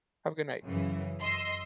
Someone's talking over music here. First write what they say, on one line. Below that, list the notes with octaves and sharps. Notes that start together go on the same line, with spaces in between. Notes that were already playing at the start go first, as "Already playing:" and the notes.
Have a good night.
F#2 C#3 E3
F#2 D#5 C6 E6